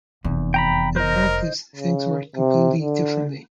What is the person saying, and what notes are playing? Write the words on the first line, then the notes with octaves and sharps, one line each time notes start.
In practice, things worked completely differently.
F1 E2
G5 A#5 B5
A#4 C5 D#5
C#3
C3
D3